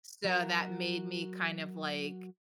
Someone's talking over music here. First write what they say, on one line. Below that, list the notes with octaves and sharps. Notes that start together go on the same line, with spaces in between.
So, that made me, kind of, like,
F#3 F#4 A#4